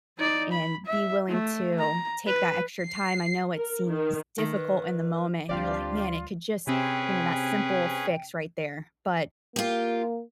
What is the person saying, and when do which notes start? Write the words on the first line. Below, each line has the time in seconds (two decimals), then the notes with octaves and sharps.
and be willing to take that extra time, I know it seems difficult in the moment, and you're like, "Man, it could just" you know, that simple fix right there, but
0.18 D#4 D5
0.53 B5
0.86 E5
1.28 A3
1.79 A#5
2.27 B4
2.81 C7
3.56 A#4
3.87 D#3
4.38 D#3 A3
4.55 B4
5.49 D2 G3 C4 D4 F4 G4 D5 F5
6.67 C3 C4 C#4 G#4 B4 G5
9.56 A#3 F4 G4